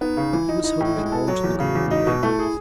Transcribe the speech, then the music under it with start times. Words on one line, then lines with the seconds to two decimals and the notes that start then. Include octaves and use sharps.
He was holding on to the garden railings.
0.01 B3 D#4
0.17 C#3
0.33 E3 E4
0.49 D#4
0.64 D#4 E4
0.81 A2
0.86 E4
0.96 G#3
1.07 E4
1.12 A4
1.27 F#3 F#4
1.44 E2
1.59 C#3 F#4
1.75 E2
1.91 D#4 F#4
2.07 B2
2.23 A3 E4
2.39 G#4